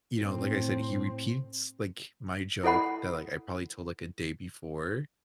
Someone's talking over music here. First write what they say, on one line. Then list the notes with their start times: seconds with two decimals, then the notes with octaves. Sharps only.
you know, like I said, he repeats, like, my joke that, like, I probably told, like, a day before,
0.20 A2 C4
2.64 E4 A4 D#5 F#5 B5